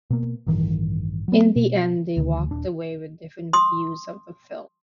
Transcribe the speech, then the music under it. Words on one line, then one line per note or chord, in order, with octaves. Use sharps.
In the end, they walked away with different views of the film.
B2 A#3
A1 G2 D#3 E3
F#3 B3
B2
D2 B2 D#3
D#1 D4
C6 D#6